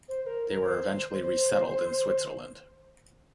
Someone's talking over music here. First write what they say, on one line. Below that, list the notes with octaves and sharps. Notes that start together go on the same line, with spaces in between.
They were eventually resettled in Switzerland.
C5
A#4
A#4
C5
C5